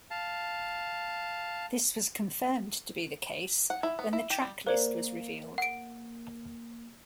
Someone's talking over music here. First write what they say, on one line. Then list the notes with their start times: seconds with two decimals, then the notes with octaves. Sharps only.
This was confirmed to be the case when the track list was revealed.
0.11 F5 A5
3.70 F#5
3.83 E4
3.99 B3
4.13 E4
4.30 G4
4.42 G3
4.67 A#3 C5 D5
5.58 F#5 D7